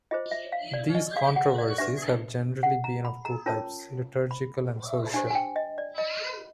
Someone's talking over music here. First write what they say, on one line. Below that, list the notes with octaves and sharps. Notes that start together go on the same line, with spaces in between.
These controversies have generally been of two types: liturgical and social.
F4 G#4 C5 D#5
E5
F5
D5
D#5
F5
F#5
D5
D4 G4 B4 E5
F#5
A#5
B5
A#5
C#4 F4 A#4 C#5 A5
B5
D4 G4 C5 G#5
G#5
G5
D#5
D5
D#5